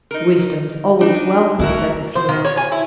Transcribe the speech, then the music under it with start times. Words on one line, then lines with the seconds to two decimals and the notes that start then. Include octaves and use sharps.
'Wisdom is always welcome,' said the Phoenix.
0.11 D#4 A#4
1.01 D4 D#4
1.59 A3 E4 F#4 A#4
2.15 C5
2.29 D#3
2.45 C#5
2.57 G#5
2.72 E4